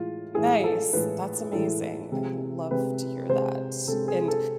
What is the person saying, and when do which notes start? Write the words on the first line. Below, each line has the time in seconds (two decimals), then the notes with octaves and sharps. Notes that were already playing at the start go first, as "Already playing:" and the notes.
Nice. That's amazing. I love to hear that, and
Already playing: A2 E3 G#3 F4
0.35 A2 E3 G#3 G#4
0.64 A4
0.93 A2 E3 G#3 B4
1.53 A2 E3 G#3 A4
2.12 C3 G#3
2.71 C3 G#3 B4
3.29 C3 G#3 C5
3.88 C3 G#3 A4
4.08 G#4
4.28 A4